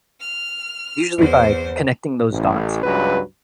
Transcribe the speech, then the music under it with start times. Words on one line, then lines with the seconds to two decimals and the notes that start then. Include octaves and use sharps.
usually by connecting those dots,
0.21 F6
1.17 E2 C5
2.32 A1
2.83 C#2 G2 F#3 B4